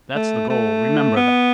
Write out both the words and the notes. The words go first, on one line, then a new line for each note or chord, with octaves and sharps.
That's the goal, remember that!
A3
A3
B3